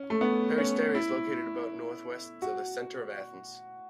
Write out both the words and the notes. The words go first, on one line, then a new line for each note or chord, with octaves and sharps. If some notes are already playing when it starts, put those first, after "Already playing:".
Peristeri is located about northwest of the centre of Athens.
Already playing: C#4
A3
B3
C#4
E4
F#4